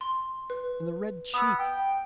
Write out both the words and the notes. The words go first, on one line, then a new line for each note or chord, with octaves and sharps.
And the red cheeks!
C6
B4
B3 D#6 E6
G5